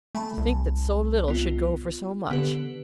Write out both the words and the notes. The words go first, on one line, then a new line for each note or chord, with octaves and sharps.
'To think that so little should go for so much!
A3 G#5 A5 B5
C2
B3 F4
D3 B3 G4 B4